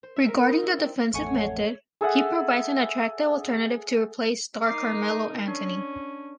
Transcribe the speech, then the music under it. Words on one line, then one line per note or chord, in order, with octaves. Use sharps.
Regarding the defensive method, he provides an attractive alternative to replace star Carmelo Anthony.
C5
E5
A#4
D#4
E4
C4
A1 F2 A3 C#5 F#5 G#5 C#6
G#4 A4 E5 F#5
D#4 A#4 D6 C7
C#4 D4